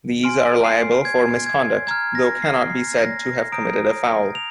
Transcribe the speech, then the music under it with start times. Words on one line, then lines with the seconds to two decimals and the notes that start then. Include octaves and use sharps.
These are liable for misconduct, though cannot be said to have committed a foul.
0.23 G#5 C6 F6 D7
0.64 C7
1.05 G#6
1.46 G#6
1.87 A#5 F6 G#6
2.15 A#6
2.42 C7
2.70 C7
2.98 A#6
3.25 A#6
3.52 A#5 D#6 G6 D7
4.35 F7